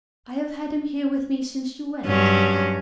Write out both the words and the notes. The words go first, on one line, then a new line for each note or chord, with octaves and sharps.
"I have had him here with me since you went."
G2 F#3 C#4